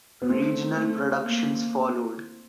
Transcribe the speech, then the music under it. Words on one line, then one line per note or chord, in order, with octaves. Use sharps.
Regional productions followed.
B3
A3 C4
A3
A#3